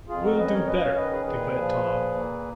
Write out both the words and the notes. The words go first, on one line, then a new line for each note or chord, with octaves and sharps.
"We'll do better," declared Tom.
F2 F4 G#4
F#4 A#4
C#4 B4 D#5
A#4 C#5
C#4 B4 D#5
C#5 F5
D#3 B4 D#5
G#4 B4
A#2 G#4 B4
F3
A#2
A#3